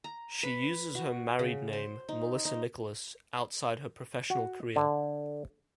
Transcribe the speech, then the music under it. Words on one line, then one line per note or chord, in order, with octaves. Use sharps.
She uses her married name, Melissa Nicholas, outside her professional career.
A#5
B4
F#4
C#3
C5
D#4
D#4
F#4
D3